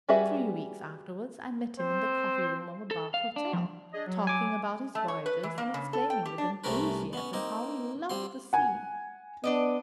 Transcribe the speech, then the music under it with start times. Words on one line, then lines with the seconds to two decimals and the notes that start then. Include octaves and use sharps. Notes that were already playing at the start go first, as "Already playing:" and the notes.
Three weeks afterwards, I met him in the coffee-room of a Bath hotel, talking about his voyages, and explaining, with enthusiasm, how he loved the sea.
0.09 G3 F#4 G#4 B4 E5
1.77 C4 C5
2.91 A4
3.14 F5
3.36 D4
3.53 F3
3.93 D4 G#4 D#5
4.07 F#3
4.27 G#5 D6
4.95 A3
5.08 C#5
5.26 B4
5.43 E3
5.58 A#3
5.74 C#3
5.93 A4
6.10 G5
6.26 G4
6.38 D4
6.64 C2 C3 A3 C#4 A#4 B4
7.13 B3 C#4
7.33 A#3 C4 D#4 D#5
8.10 G3 C4 C6
8.53 F#5 G#5
9.44 B3 D4 D5 D#5